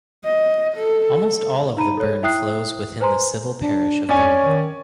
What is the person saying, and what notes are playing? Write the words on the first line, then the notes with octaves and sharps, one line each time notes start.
Almost all of the burn flows within the Civil Parish of Donegal.
D#5
A4
D#4 A#5 B5 D#7
A4 C#5
E4 E5 G5 D#6 F#6 C7
B4 C5 G#5 A#5 C6
D4
F2 C#4 C#5 D5 G#5
D#3